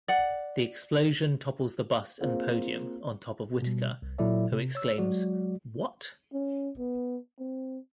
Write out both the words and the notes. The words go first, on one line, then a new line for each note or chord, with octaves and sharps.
The explosion topples the bust and podium on top of Whitaker, who exclaims what?...
D5 F#5
A#3 C4 F4 G#4
B2 G3
C2
A#2 F#3 E4 A4 D5 E5
C3
C#5 E6
F#3 G#3 F#4 D5
C#4
B3
C4